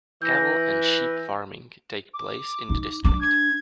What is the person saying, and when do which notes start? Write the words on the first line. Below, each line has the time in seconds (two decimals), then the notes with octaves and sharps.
Cattle and sheep farming take place in the district.
0.22 E3 G6 A#6
2.14 D6
2.69 D#4
3.04 D4 D6
3.21 G#6